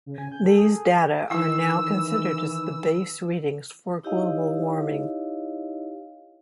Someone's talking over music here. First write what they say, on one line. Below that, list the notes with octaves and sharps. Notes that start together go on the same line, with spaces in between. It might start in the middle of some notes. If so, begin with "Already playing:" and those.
These data are now considered as the base readings for global warming.
C#3
G#5
G6
A4
G#4
G#4
D#3 E3 E4 E6
D#4 E4 G4 C#5 D#5 F5